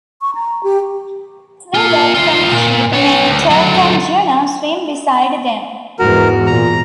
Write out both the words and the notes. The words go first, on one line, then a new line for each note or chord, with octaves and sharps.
Two dogs from the ship named Turk and Juno swim beside them.
C#6
A#5
G4
A#3 F4
D2 F4
A#2
B3 C#5
D2
D3 F#3
E2 G#2 E3 F#4 A#4
A#2 A#5